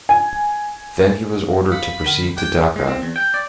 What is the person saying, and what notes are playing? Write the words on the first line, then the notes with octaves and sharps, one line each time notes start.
Then he was ordered to proceed to Dhaka.
G#5
F5 B5 C#7
D3 F6 F#7
G5 D6 F#6 G#6
G#3
C4
E2
G5
D5